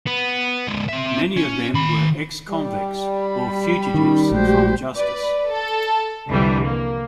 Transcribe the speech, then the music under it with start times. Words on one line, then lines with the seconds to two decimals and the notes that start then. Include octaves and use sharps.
Many of them were ex-convicts or fugitives from justice.
0.06 B3
0.68 F3 G#3
0.88 C4 E5
1.37 C#4
1.74 D#3 B5
2.49 G3
3.19 B5
3.94 D#3 C#4 D#4
4.32 A#1 G#3 A3 F#4 G4 C5
4.96 B4 D5
5.51 A4
6.27 C2 F2 D3 E3 G3
6.65 A#3